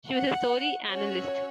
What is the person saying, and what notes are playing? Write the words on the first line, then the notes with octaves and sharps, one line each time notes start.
She was a story analyst.
F#5
C#4 F#4 C#5